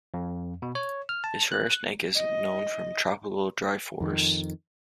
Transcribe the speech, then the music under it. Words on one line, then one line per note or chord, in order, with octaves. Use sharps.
This rare snake is known from tropical dry forests.
F2
B2
C#5
F6
A5
F#6
D#5
F2 D#3